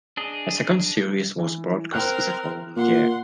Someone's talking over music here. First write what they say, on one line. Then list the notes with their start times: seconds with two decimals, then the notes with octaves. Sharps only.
A second series was broadcast the following year.
0.17 D4 G#4 D#5
1.39 E3
1.93 C4 A#4 F6 F#6
2.76 A#2 F#5 C6